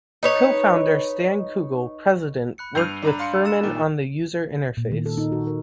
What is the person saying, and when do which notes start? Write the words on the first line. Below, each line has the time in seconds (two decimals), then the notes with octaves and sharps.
Co-founder Stan Kugell, President, worked with Firmin on the user interface.
0.23 D#4 B4 C#5
2.58 B5 F#6 C#7
2.75 G2 E6 G6 C7 D#7 F7
3.02 D4 A#5 B5
3.19 F5 C6 C#7
3.45 E6 A6 E7
3.63 A#2 D#3
4.77 A#2
4.92 D#3
5.06 A4
5.18 D#4
5.32 F#4
5.47 A#4